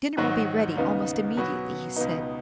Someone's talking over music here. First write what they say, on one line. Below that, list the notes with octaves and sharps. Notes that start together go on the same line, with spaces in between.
"Dinner will be ready almost immediately," he said.
G#2 D#3 F#3 D#4 F#4
D#2 C#3 B3 D#4
B2 F#3 B3 F#4 B4
C#2 B2 B3 D#4